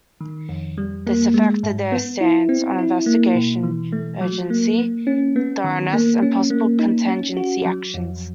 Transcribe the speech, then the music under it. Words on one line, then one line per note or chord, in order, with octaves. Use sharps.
This affected their stance on investigation urgency, thoroughness and possible contingency actions.
D#3
F2
G3
A#3
G#3
G#2
B3
E4
C4
E4
A#3
B2
E3
A3
F#3
A#3
A#3
C#4
B3
D#3
A#3
C#4
A#3
D#4
C#4
F#4
F#3
F2